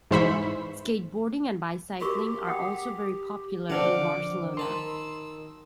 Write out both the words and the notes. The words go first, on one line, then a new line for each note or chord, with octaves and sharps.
Skateboarding and bicycling are also very popular in Barcelona.
G#2 E3 C5 E5 B5 C#6
F#4 G4 A#4 C#6
F#5 G5 D#6
D3 F3 C4 D4 F5 F#5 D6
D#3 A5 B5 C6 E6